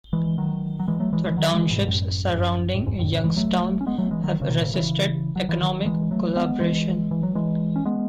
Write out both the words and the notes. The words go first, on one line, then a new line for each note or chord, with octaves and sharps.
The townships surrounding Youngstown have resisted economic collaboration.
E3 G#3
D#3 F#3
F#3
E3 G#3
F#3 A3
E3 G#3
E3 G#3
D#3 F#3
E3 G#3
G#2 B2
B2
F#2 A2
G#2
F#2
A2
E2 G#2
F#2 A2
A2 C#3
E3 G#3
F#3 A3
C#4
G#3 B3
F#3 A3
E3 G#3
D#3 F#3
C#3
B2 D#3
A2 C#3
C#3 E3
F#3
E3
D#3 F#3
E3 G#3
F#3 A3
G#3 B3
E3 G#3
E3
F#3
E3 G#3
C#4
G#3 B3